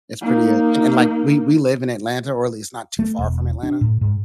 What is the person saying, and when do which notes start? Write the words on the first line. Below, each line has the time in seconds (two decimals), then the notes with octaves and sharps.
It's pretty, uh and and, like, we we live in Atlanta, or at least not too far from Atlanta,
0.21 A#3 D#4
2.99 A3
3.19 E1
3.63 D4
3.81 A2
4.01 G#2